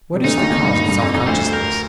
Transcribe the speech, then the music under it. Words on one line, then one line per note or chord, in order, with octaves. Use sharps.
What is the cause of self-consciousness?
C3
D2 D3 D#4
D#2 D#3
D#2 D#3
G2
G2
F2
F2
D2 D3 C5
A#4